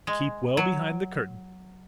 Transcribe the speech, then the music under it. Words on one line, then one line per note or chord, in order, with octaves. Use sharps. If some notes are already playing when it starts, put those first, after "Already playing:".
Keep well behind the curtains.
G#3
F#3